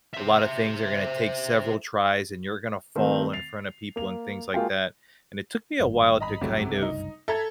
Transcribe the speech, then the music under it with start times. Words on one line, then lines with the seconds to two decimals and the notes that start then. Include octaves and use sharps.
A lotta things are gonna take several tries, and you're gonna fall in front of people and things like that, and it took me a while to kind of
0.14 C5 E5
2.96 D#3 A3 C4
3.33 A6 C7 F7
3.96 A#3 F7
4.54 G#3 A#3 F4 F#4 F5 G5
5.80 G#1 G2
6.20 D#5 A#5 B5
6.41 F#1 C2 G2 C3 F#3 A3
6.82 D#4
7.28 A4 E5 A#5 G#6